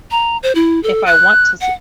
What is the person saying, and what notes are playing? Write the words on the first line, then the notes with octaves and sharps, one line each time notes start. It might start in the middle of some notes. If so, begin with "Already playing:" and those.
if I want to see."
A#5
C5
E4
A4
F#6
F#5